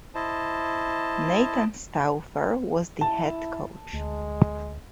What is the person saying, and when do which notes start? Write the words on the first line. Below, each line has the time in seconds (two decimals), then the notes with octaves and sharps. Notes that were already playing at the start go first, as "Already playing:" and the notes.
Nathan Stauffer was the head coach.
0.15 E4 C5 D#5 A5
3.01 E4 A5
3.93 D2 G#3